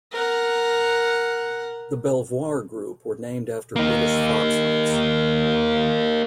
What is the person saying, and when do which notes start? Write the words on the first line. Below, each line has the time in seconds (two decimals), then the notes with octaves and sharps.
The "Belvoir" group were named after British fox hunts.
0.12 A#4 F#5
3.76 A#3 D#4